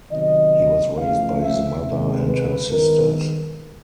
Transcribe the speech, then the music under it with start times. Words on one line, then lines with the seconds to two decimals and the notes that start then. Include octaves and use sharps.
He was raised by his mother and her sisters.
0.11 C3 D#3 F#3 B3 D#5
0.97 C#3 F3 A3 F5
1.40 E5
1.84 C3 D#3 G#3
2.26 B4
2.70 G2 D#3 G#3 B3 A#4